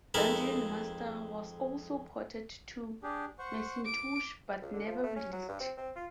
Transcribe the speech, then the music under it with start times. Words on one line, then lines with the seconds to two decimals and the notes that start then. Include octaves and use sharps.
Dungeon Master was also ported to Macintosh but never released.
0.14 F2 G#3 D#4 A4 A#4 B5
3.03 D4 G4 G#4
3.39 C5 F#5 C#6
3.85 D6 D7
4.62 C#2
4.73 D3
4.87 F3
5.03 A3
5.16 C#4
5.33 F#3
5.48 G2
5.60 C4
5.77 C4
5.96 F4